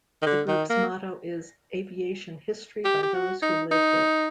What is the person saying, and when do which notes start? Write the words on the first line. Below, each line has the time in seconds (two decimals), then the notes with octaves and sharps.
The group's motto is "Aviation History by those Who Lived It".
0.22 D#3
0.26 D3
0.48 D#3
0.70 A#3
2.85 G4
3.03 G4
3.14 F#4
3.42 D#4
3.71 D#4